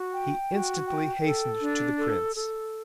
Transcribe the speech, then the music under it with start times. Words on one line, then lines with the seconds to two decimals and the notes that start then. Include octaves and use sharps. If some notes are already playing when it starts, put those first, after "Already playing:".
He instantly hastened to the Prince.
Already playing: F#4
0.14 G5
0.51 F#4
0.87 G5
1.24 A4
1.61 D4
1.97 A4
2.35 A4